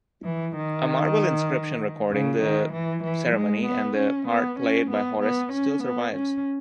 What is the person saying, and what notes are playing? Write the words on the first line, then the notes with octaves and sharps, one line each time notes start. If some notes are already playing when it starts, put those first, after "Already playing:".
A marble inscription recording the ceremony and the part played by Horace still survives.
E3
D#3
C#3
D#3
E3
E3
G#3
B3
C#4
B3
C#4
B3
B3
C#4
B3
C#4